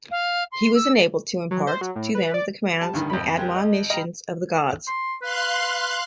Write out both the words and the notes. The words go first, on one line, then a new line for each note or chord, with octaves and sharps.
He was enabled to impart to them the commands and admonitions of the gods.
F5
C6
E6
F#3
C5
F#3
A2
B4
D5
G3 A5
D2 G2 D#3 B3
F2 B5
G#3 G4 A#4
D#5
G3 G4 D#5 A#5
C6
B4 F5 C6 F#6
B4